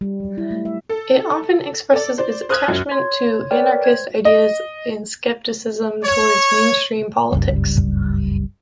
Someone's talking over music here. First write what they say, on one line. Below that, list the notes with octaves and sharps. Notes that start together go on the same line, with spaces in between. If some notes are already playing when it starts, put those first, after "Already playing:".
It often expresses its attachment to anarchist ideas and skepticism towards mainstream politics.
G3
F#3
E4
A3
E5
A4
A4 D5
C5 D5
C5 D#6 F6 F#6 G#6
F#2
C#5 C6 G#6
A#4 B4 C#5 D5 G5 F6
C5 G#6
D#5
C#5
F#1 C#2 G2 G3